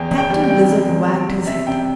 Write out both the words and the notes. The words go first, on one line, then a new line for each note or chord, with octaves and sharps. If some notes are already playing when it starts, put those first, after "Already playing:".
Captain Blizzard wagged his head.
Already playing: E2 G5
E2
G5
G3
G5
C3
E2
E2
G3
E2
C3 E5
C3 G5